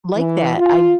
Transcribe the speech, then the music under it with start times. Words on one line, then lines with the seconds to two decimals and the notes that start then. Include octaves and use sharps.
like that. I
0.16 E3
0.57 F4